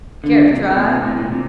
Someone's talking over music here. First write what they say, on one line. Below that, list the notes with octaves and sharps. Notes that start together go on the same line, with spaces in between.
"Care to try?"
D3
A#2
C3
A#2
C3
A2
A#2
C3